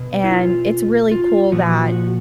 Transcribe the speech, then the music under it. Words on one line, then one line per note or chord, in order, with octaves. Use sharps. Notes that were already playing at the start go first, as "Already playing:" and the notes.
and it's really cool that
Already playing: B2
E4
F4
F4
A#2 F3 F#4
F#4